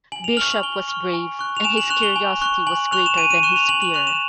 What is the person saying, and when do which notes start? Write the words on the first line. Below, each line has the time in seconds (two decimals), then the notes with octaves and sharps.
Bishop was brave and his curiosity was greater than his fear.
0.12 G#5 F#7
0.24 F7
0.37 C#6 F6 F#7
0.50 F#7
0.63 G#5 G7
0.88 C#6 F6
1.13 G#5
1.39 C#6 F#6
1.57 F7
1.65 G#5 E7
1.77 F#7
1.90 C#6 F#6 F7
2.03 G7
2.16 G#5
2.41 C#6 F#6
2.67 G#5 F#7
2.92 C#6 F#6 F7
3.06 E7
3.17 G#5 D#7
3.30 D#7
3.43 C#6 F#6 E7
3.56 F7
3.69 G#5 F#7
3.82 F#7
3.94 C#6 F#6 F7
4.07 E7